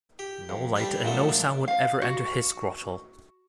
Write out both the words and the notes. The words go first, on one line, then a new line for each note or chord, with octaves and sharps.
No light and no sound would ever enter his grotto.
G4
F2
G3 C4 D4 G4 B4
F#2 A#2 F3 F#3 A3 A4
D4
F5
F#4